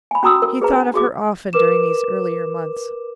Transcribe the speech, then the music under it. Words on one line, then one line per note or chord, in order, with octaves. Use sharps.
He thought of her often during these earlier months.
G#5 B5
C#4 F#4 A#5 D#6 E6
A#4
G#4 B4 A#5
D4
F#4 G#4 D6
A#4 B4 D6 E7